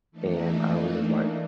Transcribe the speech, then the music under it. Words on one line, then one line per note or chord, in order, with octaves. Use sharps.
and, I was just like
E3 A3 A#3 D4 D#4